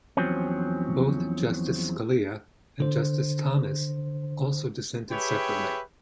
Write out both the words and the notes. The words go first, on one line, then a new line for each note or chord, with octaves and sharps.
Both Justice Scalia and Justice Thomas also dissented separately.
E2 F3 F#3 C4 C#4
D3 C5
G4 G#4 B4 C#5 E5 G5